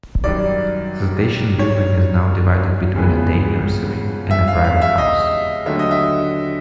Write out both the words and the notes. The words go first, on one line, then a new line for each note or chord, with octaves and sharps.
The station building is now divided between a day nursery and a private house.
F#2 D#3 G3 D5
C#5
F2 C#3 E3 G#3 B3
E5
F5
F5
E5
D#5
D#2 D3 F#3 A3 E5
D#5
E5